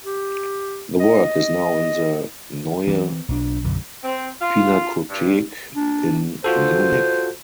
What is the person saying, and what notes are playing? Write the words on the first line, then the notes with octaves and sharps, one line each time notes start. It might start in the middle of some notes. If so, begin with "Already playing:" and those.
The work is now in the Neue Pinakothek in Munich.
G4
D#5
E3 C4
B1 E3 D4
B1 F#2 D3
C4
F4
G2
D4
F4 F#4 A4 C5